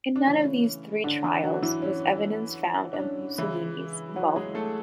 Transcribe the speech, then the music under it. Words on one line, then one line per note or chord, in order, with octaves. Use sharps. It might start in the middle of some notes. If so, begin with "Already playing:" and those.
In none of these three trials was evidence found of Mussolini's involvement.
D4
C#3 E3 A3 C#4
D3 D4
E3 E4
F#3 F#4
E3 E4
C#4
D4
C#4
C#3 E3 G#3 E4
F#3 F#4
G#3 G#4
A3 A4